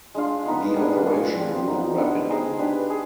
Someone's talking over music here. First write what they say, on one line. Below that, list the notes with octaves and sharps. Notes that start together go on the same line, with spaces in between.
The operation grew rapidly.
G#3 D4 F4
B3 D#4 B4
G3 D4 G#4 B4
D4 F4 G#4
C4 G4 D5
G3 B3 D#4
G3 B3 D4
D#4 G#4 C5 D#5
D4 G4 B4
G#4